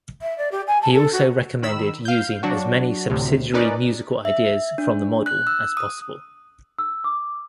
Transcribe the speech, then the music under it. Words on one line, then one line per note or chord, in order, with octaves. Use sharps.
He also recommended using as many subsidiary musical ideas from the model as possible.
E5
D5
G4
G#5
A5
A4
F#4
D#3 B5 E6
F5 G6
F#3 D4 F#4
D2 A2 C3
C#4 D#4 A#4 B4 D5
E5
D4
F#6
E6
D#6
E6
D6